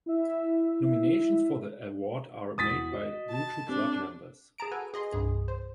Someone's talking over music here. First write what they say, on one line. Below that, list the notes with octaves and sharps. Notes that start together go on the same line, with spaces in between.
Nominations for the award are made by Groucho Club members.
E4 E5
E2 E3 F#4 D#6 A6 B6
F#4 D#5
A5
C4 D4 G4 A4
G#4 A5 A#5 D7
F#4 A4 B4 G#5
G#4 D#5 C6
C2 G2 G#4
C5